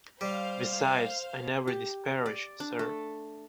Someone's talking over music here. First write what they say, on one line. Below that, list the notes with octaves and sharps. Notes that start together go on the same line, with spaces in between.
Besides, I never disparage, sir.
G3 C5 F5
G4
D5
D4
A3